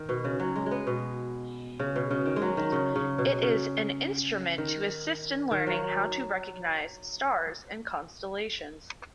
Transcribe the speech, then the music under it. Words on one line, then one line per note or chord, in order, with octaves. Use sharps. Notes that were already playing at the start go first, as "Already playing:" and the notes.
It is an instrument to assist in learning how to recognize stars and constellations.
Already playing: D#3
B2
C#3
F#3
G#3
G#3
B3
B2
C#3
B2
C#3
D#3
G#3
F#3
D#3
C#3
C#3
B2
C#3
D#3
D#3
F#3